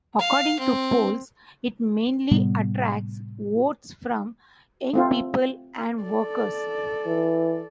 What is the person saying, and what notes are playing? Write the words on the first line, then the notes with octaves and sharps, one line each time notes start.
According to polls, it mainly attracts votes from young people and workers.
F5
C4
A2 C3 G3 B3
A3 C4 F4
A4 D5
E3